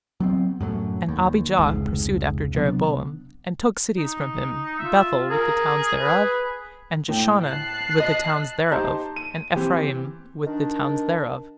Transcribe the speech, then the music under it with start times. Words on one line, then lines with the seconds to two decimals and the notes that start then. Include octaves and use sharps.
And Abijah pursued after Jeroboam, and took cities from him, Bethel with the towns thereof, and Jeshanah with the towns thereof, and Ephraim with the towns thereof.
0.20 F#3 B3 C4
0.61 F#2 A2 F#3
1.08 D#2
1.58 F1 C#2 G#2
2.55 C3 F#3 B3 D4
3.98 D#4
4.79 F4 E5
5.30 G#4 A#4
5.98 B4
7.09 A2 G5
7.44 A5 F#6 C7
8.00 D#5
8.71 D#4 G4 C5 A5 A#5 C6
9.16 D#7
9.56 E3 C4 G4
10.46 D#3 D4